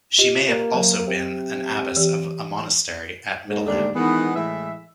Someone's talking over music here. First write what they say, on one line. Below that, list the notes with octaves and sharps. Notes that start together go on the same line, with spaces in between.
She may have also been an abbess of a monastery at Middleham.
F4 G4 D#5
A#3
F#3
C3
E3 G4
G#2
D#2 G#2 D3 G3 A3 D4
D#3 E3 G#3 B3
A2 E3 G#3 E5